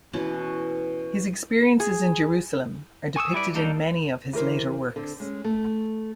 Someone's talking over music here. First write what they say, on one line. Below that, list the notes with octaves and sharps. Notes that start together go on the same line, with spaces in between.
His experiences in Jerusalem are depicted in many of his later works.
B2 E3 C#4
G#4
G#5 C#6 D#6 E6
G3 E4 B4 D5
G3 A#3 D4 D#4 A4
E3 G4 A#4 C5
D3 C4
G#3 C#4
A3